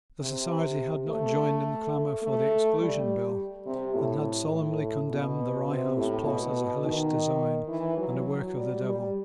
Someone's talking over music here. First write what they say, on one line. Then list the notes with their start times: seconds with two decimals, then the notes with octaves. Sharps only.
The society had not joined in the clamour for the Exclusion Bill, and had solemnly condemned the Rye House plot as a hellish design and a work of the devil.
0.21 C3
1.08 A3
2.22 A3
2.80 G3
3.66 C3
3.95 A2
4.52 A2
5.09 B2
5.67 C3
5.97 A2
6.25 B2
6.83 D#3
7.68 E3
7.98 F#3
8.56 G3
8.84 G3